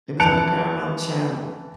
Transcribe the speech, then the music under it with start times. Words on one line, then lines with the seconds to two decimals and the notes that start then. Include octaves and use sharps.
It was on the Paramount Channel,
0.20 E3 A5 F#6 C#7 D7 F7